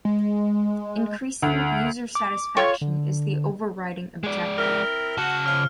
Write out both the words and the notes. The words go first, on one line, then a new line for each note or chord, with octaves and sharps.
Increasing user satisfaction is the overriding objective.
G#3
D2
D6
F4 A4 C#5 G5 C#6
D3
G#3 D5
C4 E4 A#4 F6
C#3 F#4 A5
F3 C#4 F6